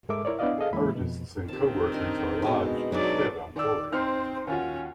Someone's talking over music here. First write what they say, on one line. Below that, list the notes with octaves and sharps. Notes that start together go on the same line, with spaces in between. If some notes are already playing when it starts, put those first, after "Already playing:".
Artists and co-workers are lodged and fed on board.
G#2 G#3 A4 A#4 E5 D6
E4 A#4 C#5 D5
B3 D4 E4 D5 D#5 F5
G#4 A4 D#5 F5
E3 G#3 A#3 E4 B5
F2 B2
D#3 C4 G4 A5
D4 D#4 A#4
B2 G#3 B4
F#3 G#3 D4 D#4 D5
D#3 D5 E6
C4 D#4 C5 F6
D#2 C#4 F4 F#4